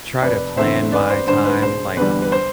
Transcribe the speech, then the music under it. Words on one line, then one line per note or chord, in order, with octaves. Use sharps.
try to plan my time, like,
F1 B4 D5
E2 D3 A3 C4 C5 E5
A1 B4 D5
C5
G2 D3 C5
B4
E1 C5
E2 D3 G3 B4
B4
C5